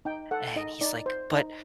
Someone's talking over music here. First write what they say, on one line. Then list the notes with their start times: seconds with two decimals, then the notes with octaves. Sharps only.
And he's like, "But
0.05 D#4 G5
0.31 A4 F#5
0.56 D#4 D#5
0.81 D#4 D5
1.06 C5
1.31 D#4